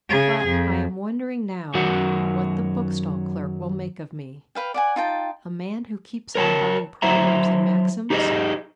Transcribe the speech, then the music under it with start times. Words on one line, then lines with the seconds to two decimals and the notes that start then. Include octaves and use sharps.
But I am wondering now what the bookstall clerk will make of me. A man who keeps on buying Proverbs and Maxims.
0.10 C#3 G#4
0.48 F2
1.74 F#2 D#3 F#3 F#4 A#4 F#5
4.55 B4 F5 G5
4.74 D5 F#5 G#5
4.96 D#4 F4 G5 A5
6.35 A#4 C#5 G#5 A5
7.02 F#3 E4 C5 E5 A#5
8.10 D#4 G4 G#4 C#5 D#5